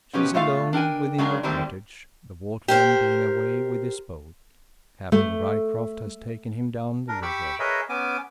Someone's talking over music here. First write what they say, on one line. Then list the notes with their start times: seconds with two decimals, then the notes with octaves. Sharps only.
She is alone within her cottage, the waterman being away with his boat. Captain Ryecroft has taken him down the river.
0.13 B2 F3 C#4 D#4 G4 B4
0.34 A#2 A3 F4 F5
0.73 D4 A#4 G5 G#5
1.18 C#3 F#3 G#3 D4 A#4
1.43 D3 D#3 G3 A3 A#3 C4
2.68 G4 A#4 C5
5.12 A3
7.08 D4 A#4
7.22 G4 B5 C#6 D6 E6
7.59 G#4 A#4 B4 C#5 D#5 E5
7.89 B3 C#4 G#5 D6